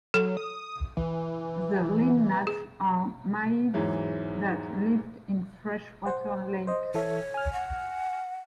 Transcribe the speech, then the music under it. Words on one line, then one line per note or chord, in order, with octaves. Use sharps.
The Limnads are Naiads that lived in freshwater lakes.
F#3 A4
D#6
E3
G#4
E2 G#2 E3 F#3 G#3
C5 F#5
C5 D#5
E3 A4 C#5 E5
G#5 F6
F#5